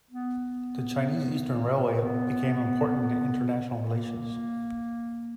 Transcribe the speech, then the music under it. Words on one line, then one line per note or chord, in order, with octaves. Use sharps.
The Chinese Eastern Railway became important in international relations.
B3
B3
A#3